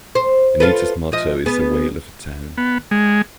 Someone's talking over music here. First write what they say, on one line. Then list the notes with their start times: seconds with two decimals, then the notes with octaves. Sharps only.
Anita's motto is A Whale of a Town.
0.15 C5
0.60 F4 A4 B4
1.12 F3 D#5
1.46 B3 G#4
2.57 B3
2.91 G#3